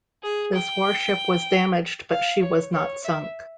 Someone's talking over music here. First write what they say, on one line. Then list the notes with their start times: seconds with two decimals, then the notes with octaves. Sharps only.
This warship was damaged, but she was not sunk.
0.23 G#4
0.55 G5
2.11 F5
2.42 C#5
2.73 C#5
3.04 E5